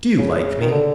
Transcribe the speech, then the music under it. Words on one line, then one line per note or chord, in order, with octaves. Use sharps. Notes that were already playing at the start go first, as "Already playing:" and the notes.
"Do you like me?"
C#3
D#3
D3